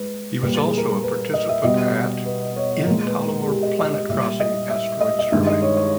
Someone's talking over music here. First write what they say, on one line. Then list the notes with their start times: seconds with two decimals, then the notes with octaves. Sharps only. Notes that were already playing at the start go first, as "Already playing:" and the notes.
He was also a participant at in Palomar Planet-Crossing Asteroid Survey.
Already playing: G#3 B4
0.42 A#2 G3 B4
0.55 A#4
0.66 G#4
0.78 A#4
1.03 B4
1.34 D#5
1.49 E5
1.64 B2 G3 D#5
2.26 B4
2.56 C#5
2.87 A#2 G#3 A#4
3.07 B4
3.28 A#4
3.42 G#4
3.48 G4
3.63 D#5
3.79 D#5
3.93 D#5
4.09 A#2 G3 E5
4.40 D#5
4.70 E5
5.01 D#5
5.19 D#5
5.31 G2 D#3 G#3 E5
5.47 D#5
5.62 C#5
5.77 C#5